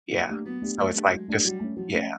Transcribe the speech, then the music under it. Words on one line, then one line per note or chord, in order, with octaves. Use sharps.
Yeah. So it's like just yeah.
F#3 A#3
A3 D4 G4
F#3 B3
A3 D4 G4
F#3 A3
A3 D4 G4
F#3 G#3
A3 D4 G4
F#3 G3
A3 C#4
F3 F#3
A3 C#4